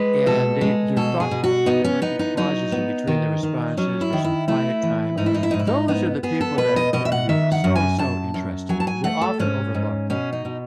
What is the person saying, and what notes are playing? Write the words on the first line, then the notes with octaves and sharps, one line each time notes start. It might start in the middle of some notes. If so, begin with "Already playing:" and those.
And they they're thoughtful, there might be pauses in-between their responses, there's some quiet time, those are the people that are tend to be so, so interesting, and they're often overlooked.
Already playing: G#3 B4
B2 A4
G#3
B2 A4
G#4
B2
F#4
B3 D#4
C#4
B3 D#4
D#4
F#3 D#4
B3
D#3
D#3
F#3 C#4
E4
D#3
E4
A3 E4
E3
G#2 D#4
E4
D#4
E4
G#2 D#4
E4
D#4
B3 D#4
B3 G#4
A4
B2 B4
D#5
B2 D#5
E5
F#5
D#3 E5
F#5
F#2
G#5
F#2 A5
F#2
F#3 G#5
A5
G#5
A3 F#5
A4
G#2 C#4
G#2
B2 C#4
D#4
B2